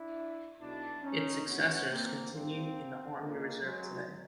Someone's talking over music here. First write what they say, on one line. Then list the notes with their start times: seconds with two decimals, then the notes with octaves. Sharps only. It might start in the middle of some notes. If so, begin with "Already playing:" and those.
Its successors continue in the Army Reserve today.
Already playing: D4 E4
0.59 B1 B2 D4 E4
1.03 C#4 D#4
1.46 E2 B2 B3 C#4
1.89 A#3 C4
2.33 G1 F2 D3 F3 A#3 C4
3.19 C#2 C#3 F3 G#3 A#3
3.63 F#3 G#3